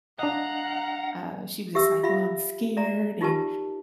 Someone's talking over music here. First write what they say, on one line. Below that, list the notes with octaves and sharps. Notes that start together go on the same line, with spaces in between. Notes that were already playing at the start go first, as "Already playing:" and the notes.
uh, she was just like, "Well, I'm scared, and
D4 D#5 F5 F#5 A#5
G4 E5 E6
F4 E5 F5 B5
D5 E5 A#5
D#4 F4 G4 A#4 B4 A5